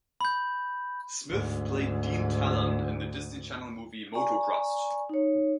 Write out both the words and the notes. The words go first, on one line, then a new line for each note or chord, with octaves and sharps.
Smith played Dean Talon in the Disney Channel movie "Motocrossed".
B5 G6
D2 G#2
D5 G#5 A#5 C#6
D#4 C#5